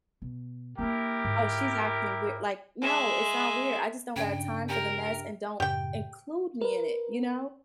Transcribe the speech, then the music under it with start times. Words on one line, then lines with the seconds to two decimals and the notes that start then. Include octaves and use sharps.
"Oh, she's acting weird" like, "No, it's not weird, I just don't got time for the mess, and don't include me in it," you know?
0.22 B2
0.78 A#3 D4 E4 G4 A#4
1.24 G#2 D3
2.82 G#3 E5
4.16 G2 C#3 D4 G5 G#6
4.69 G4 A#4 G5
5.60 F#2 A2 C#3 G4 G5
6.61 A#4 B4